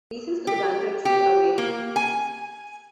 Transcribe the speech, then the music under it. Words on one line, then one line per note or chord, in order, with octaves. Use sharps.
Reasons for the bankruptcy are varied.
G4
G4
A#3
G#5